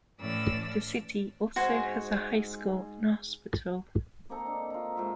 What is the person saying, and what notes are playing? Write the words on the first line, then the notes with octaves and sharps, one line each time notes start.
The city also has a high school and hospital.
A2 E3 C#4 D5 E6
G#2 F#4 C5 G#5 C6
A#3 C4 D#4 A4
D4
D#4 F4
G#2 F4 E5